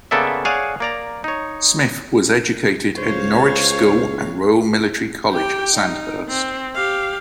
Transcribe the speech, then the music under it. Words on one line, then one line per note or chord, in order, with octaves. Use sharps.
Smith was educated at Norwich School and Royal Military College, Sandhurst.
C#3 A#3 B3 A4 D5 E5
G#4 C#5 D5 F5 F#5 G#5
A#3 D5 A#5
D#4 C#5
C#2 C5 C#5 F5
G4 G5
D#4
C4
G4 F5